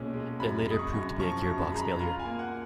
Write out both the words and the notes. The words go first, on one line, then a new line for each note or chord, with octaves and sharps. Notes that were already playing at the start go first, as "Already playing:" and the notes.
It later proved to be a gearbox failure.
Already playing: B1 A#2 G#3 C#4
G#3
F#2 B5
B5
G#3 D#6
C#6
F#2
F3 C#6
C#6
F#2
B5
G#3 A#5
B5
F4 A#5
G#5
A#3
F#5